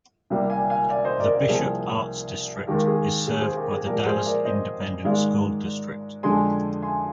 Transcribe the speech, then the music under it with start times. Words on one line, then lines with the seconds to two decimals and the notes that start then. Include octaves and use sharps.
The Bishop Arts District is served by the Dallas Independent School District.
0.30 C2 C3 G3 A#3
0.50 F5 G#5
0.70 F5 G#5
0.90 D5 F5
1.04 C5 D#5
1.20 A#4 D5
1.34 A#4 D5
1.49 C2 C3 F3 A#3 G#4 C5
2.67 D#2 D#3 G#3 G4 A#4
2.87 G#4
3.27 G#4
3.41 G#4 C5
3.57 G4 A#4
3.71 G#4
3.86 A#2 F3 G#3 G4 A#4
4.06 G#4 C5
4.25 A#4 D5
4.45 C5 D#5
5.04 G#2 D#3 G#3 D5 F5
6.23 F2 D3 G#3 G#5 C6
6.82 G#5 C6